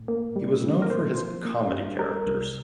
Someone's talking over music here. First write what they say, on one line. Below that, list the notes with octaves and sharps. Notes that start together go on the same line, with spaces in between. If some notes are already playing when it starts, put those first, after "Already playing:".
He was known for his comedy characters.
Already playing: A2
A#3
G3
A2
A#4
A#3 C5
F3
A#3
G2
G3 A#4
C2